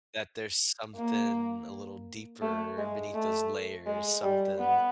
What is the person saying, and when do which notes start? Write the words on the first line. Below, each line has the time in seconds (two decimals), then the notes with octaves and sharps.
That there's something a little deeper beneath those layers, something,
0.96 A#3
2.42 A3
2.78 G#3
3.14 A3
3.86 G#3
4.23 G3
4.60 B3